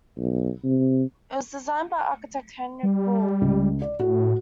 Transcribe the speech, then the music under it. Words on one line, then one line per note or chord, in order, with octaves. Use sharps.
It was designed by architect Henrik Bull.
B1
C3
G3
C#2
D5
A2 F#4